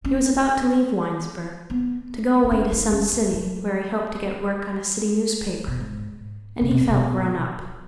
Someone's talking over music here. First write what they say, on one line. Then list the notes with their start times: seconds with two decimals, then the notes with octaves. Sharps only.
He was about to leave Winesburg to go away to some city where he hoped to get work on a city newspaper and he felt grown up.
0.05 C#4
1.70 B3
2.44 D#4
2.51 C#4
2.72 D#4
2.92 C#4
3.13 G#3
3.33 F#3
5.68 B2
5.80 G#2
6.61 C#3
6.71 B2
6.80 G#2
6.89 B2